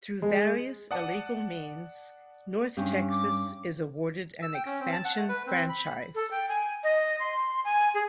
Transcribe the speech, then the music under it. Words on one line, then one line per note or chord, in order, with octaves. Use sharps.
Through various illegal means, North Texas is awarded an expansion franchise.
G#3
D5 F#5 A5 D#6
G2 C#4
D6
E6
G5
C#4
C4
A5
F#5
A3
B4
C4
B5
A4
G5
G#5
D#5
C6
G#5
G#4